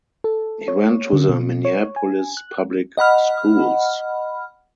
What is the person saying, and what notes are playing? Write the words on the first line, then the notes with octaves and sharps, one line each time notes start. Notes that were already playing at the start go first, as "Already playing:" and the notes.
He went to the Minneapolis public schools.
A4
C#5
D3
B2
C#5
G#5
F#6
D#5 F#5 B5 F6